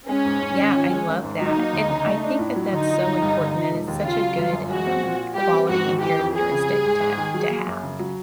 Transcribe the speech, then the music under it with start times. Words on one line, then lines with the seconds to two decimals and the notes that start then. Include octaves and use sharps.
Yeah, I love that, and I think that that's so important and it's such a good, um, quality and characteristic to to have.
0.08 G#3 C#4
0.25 G#2
0.41 G#2
0.58 D#3
0.74 F3
0.90 G#3
1.08 G#1
1.24 G#2
1.40 F#3 D#4
1.56 A#3
1.73 D2
1.89 C#3
2.06 A3
2.23 D4
2.39 A2
2.56 F#3
2.72 D3 D#4
2.89 F3
3.05 G1
3.22 G2
3.38 D3
3.54 F3
3.71 E1
3.88 D#2
4.04 C#3 F4
4.21 F#3
4.37 G1
4.53 F#2
4.70 G#3 F#4
4.86 C4
5.03 A#2
5.19 F3
5.36 G3 G4
5.52 C4
5.69 G#2 F#4
5.85 D#3
6.02 E3 G4
6.19 F2
6.35 F2 G#4
6.52 C#3
6.68 G3
6.84 G#2
7.01 G#2
7.18 D#3
7.34 F#3
7.50 A#3
7.67 F#2
7.83 C#3
7.99 F#3